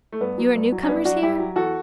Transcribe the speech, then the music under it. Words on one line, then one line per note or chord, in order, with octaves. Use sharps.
You are new-comers here?
A3
G2 B3
F#3
G2
F#3
C#4
G2 B3 D4
F#3 D4 F#4
G2 E4 G4
F#3
E2 F#4 A4